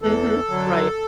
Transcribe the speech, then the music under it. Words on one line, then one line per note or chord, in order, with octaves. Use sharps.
Mhm, right.
E2 E3 A4
F#2 D3 F#3